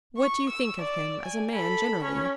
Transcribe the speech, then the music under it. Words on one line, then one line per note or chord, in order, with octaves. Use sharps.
What do you think of him as a man generally?
C#6
E6
D5
G#5
A4 B5
C#4 C#5